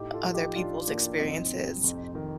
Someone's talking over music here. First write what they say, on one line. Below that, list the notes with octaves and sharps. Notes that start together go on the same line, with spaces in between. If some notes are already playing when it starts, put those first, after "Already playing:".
other people's experiences.
Already playing: A2 D#4 G4
F4 A4
F3
D#4 G4
F3 D4 F4
A2 A#3 D4
F2 C4 D#4
C3
F2
D#3